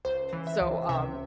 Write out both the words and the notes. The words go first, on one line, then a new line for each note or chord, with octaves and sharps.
So, um
C#2 C5
E3
E5
C#2
C3 E5